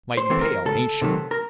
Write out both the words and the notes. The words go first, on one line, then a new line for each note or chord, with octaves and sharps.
"Mighty pale, ain't she?"
C5
E3 A3 C4 E4
A#4
C#2 A4
C3 D#3 F#3 A3
A#4